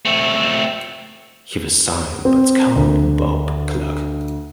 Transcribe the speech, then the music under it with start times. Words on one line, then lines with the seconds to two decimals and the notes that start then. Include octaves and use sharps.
He was signed by scout Bob Cluck.
0.05 A3 C4
2.25 C4
2.76 D2